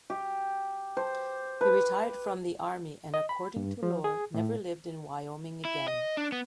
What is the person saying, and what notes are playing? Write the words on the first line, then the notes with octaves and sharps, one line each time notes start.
He retired from the army and, according to lore, never lived in Wyoming again.
G4
C5
B4
D#5
B5
G2
F3
G#4
A2
E4
D#5
D4
B3